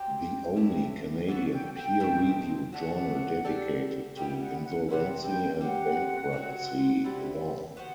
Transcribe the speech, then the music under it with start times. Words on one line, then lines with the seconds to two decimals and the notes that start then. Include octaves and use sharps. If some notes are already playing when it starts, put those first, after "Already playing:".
The only Canadian peer-reviewed journal dedicated to insolvency and bankruptcy law.
Already playing: F#3 C4 G4 G5
0.56 D3 F#3 A3 E4
1.28 E3 B3 F#4 A4 F#5
1.52 G5
1.76 G5
2.00 B2 A3 C4
2.72 F#3 A3 D4 F#5
3.44 G3 D4 A4
4.16 G3 B3 E4 G5
4.40 F#5
4.64 F#5
4.89 C3 G3 C4 E4 F#5
5.24 G5
5.61 G3 C4 G4 F#5
6.33 F#3 C4 F#4
7.04 C3 G3 C4 E4
7.77 B3 F#4 C5 F#5